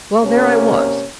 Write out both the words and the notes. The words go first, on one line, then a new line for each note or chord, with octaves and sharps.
Well, there I was.
C3 A#3 C#4